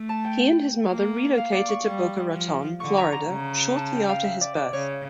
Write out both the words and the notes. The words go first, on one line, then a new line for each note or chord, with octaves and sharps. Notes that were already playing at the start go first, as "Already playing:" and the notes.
He and his mother relocated to Boca Raton, Florida shortly after his birth.
Already playing: A3 E6
A5
G5
A#3
F5
D5
C#6
G3
F3
D3 C#6
A#5
A#5
C#3
A5
G5
F5
E5
D5
D5
C#3 C#5